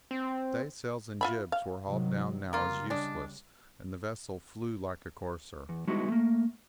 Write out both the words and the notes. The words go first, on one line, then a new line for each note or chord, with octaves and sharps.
The staysails and jibs were hauled down now as useless, and the vessel flew like a courser.
C4
F4 E5 B5
F5
C3 D#3 F#3
C#3 G3 A#3 F4
G#3 D4
E2
G3 G#3 B3 D#4 E4 F#4
A3 A#3